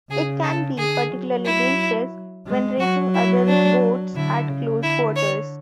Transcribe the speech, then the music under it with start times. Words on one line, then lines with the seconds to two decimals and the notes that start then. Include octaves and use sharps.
It can be particularly dangerous when racing other boats at close quarters.
0.11 C#3 G#4
0.44 A4
0.78 D3 G#4
1.12 F#3
1.45 E4
2.47 G#3
2.80 F#3 F#4
3.14 E4
3.48 D4
4.15 D3 E4
4.48 C#3
4.83 D3 E4
5.16 C#5